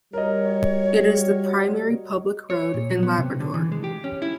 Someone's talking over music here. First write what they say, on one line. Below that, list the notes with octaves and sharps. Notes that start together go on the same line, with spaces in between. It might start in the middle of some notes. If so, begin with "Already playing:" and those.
It is the primary public road in Labrador.
G3 F#4 A#4 C#5 D#5
C#5
A#2
F#3
B3
C3
D3
E3
G#3
G4
C#4
E4